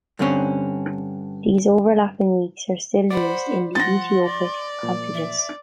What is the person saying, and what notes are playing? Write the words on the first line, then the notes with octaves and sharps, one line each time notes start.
These overlapping weeks are still used in the Ethiopic computus.
G2 D3 C4 C#4
C5 D5 F#5 B5
F3 F#5 C6 A6 A#6
D5
A#2 F3
E5